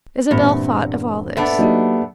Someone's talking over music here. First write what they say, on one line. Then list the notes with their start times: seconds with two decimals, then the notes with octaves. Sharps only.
Isabel thought of all this.
0.31 E2 G2 A#2 C4
1.37 A3 B3 D4
1.59 F#3 A#3 D#4 G4